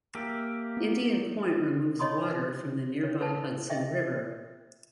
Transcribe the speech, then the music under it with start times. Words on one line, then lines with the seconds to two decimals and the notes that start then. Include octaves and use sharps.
Indian Point removes water from the nearby Hudson River.
0.15 A#3 G4 E5
0.77 B3
1.99 D#4 C#5 D#5 B5 C6 D#6
3.03 C#5
3.19 A4 B4 A5
3.70 D#5 E5 G5